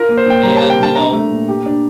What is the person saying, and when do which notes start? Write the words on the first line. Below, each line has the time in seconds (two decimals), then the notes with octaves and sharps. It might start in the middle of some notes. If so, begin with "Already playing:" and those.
and, you know,
Already playing: F4 A#4
0.09 A#3
0.18 C5
0.26 A#2 G5
0.43 G3 A#5
0.57 G4 A5
0.70 G5
0.79 G3 A5
0.95 D4 A#5
1.13 A3
1.31 A#2
1.48 G4
1.66 D4